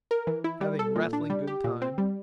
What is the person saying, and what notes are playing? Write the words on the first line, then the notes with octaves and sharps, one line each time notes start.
Having rattling good time.
A#4
E3
E4
G3
A4
A#2
D4
G3
G4
A#2
C4
G3